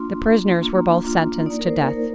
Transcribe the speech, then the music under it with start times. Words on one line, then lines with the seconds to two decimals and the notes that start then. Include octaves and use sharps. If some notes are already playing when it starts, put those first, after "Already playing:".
The prisoners were both sentenced to death.
Already playing: A#3 D4 F4 C6
0.21 A#3 D4 F4
0.63 A#3 D4 F4 A#5
1.04 A#3 D4 F4
1.46 A#3 D#4 D5
1.59 A#4
1.67 C5
1.88 A#3 D#4 A#4